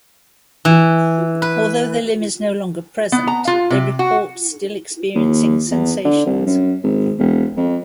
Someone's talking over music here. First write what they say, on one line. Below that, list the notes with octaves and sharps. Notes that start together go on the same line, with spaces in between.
Although the limb is no longer present, they report still experiencing sensations.
E3
B4
B3
A#5
F4
C3
F#4
D#2
E2
D3
C2
F#2
G#1
E1
F2